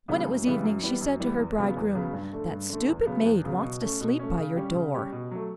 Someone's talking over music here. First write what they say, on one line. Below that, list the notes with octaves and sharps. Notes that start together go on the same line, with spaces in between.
When it was evening she said to her bridegroom, 'That stupid maid wants to sleep by your door.'
C#3 E3 G3 B3
F#2
C#3 E3 G3 B3
F#2
E3 G3 B3
F#2
E3 G3 B3
E2
C#3 F#3 B3
E2
C#3 F#3 B3
G2
D3 A3
G2
D3 A3
E2
C#3 F#3 B3
E2
C#3 F#3 B3
B2
A3 C#4
B2
A3 C#4
C#3
G3 C#4 G4
C#3
G3 C#4 G4
B2
F#3 A3